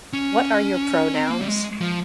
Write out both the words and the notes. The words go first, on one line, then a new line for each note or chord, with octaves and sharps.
What are your pronouns?
C#4
C4
A#3
G3
G#3
F3